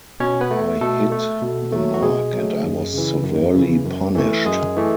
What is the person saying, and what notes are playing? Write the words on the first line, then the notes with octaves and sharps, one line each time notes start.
I hit the mark and I was severely punished.
B2 C#4 C#5
B3 B4
A3
B2 A3 A4
A3
B2
F#3 A3
F#4
B2 G#3 G#4
F#3 A3
F#2
C#3 E3
F#2
C#3 E3
F#2
E3 A3
F#2 G#3 G#4
E3 A3